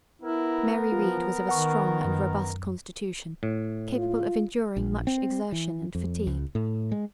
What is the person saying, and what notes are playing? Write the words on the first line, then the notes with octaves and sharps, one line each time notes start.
Mary Read was of a strong and robust constitution, capable of enduring much exertion and fatigue.
B3 E4 A#4
F3 F4
D#3 F#5 C#6
F#2
A2
F4
A#1
C4
E3
F2
C#2
A2
G#3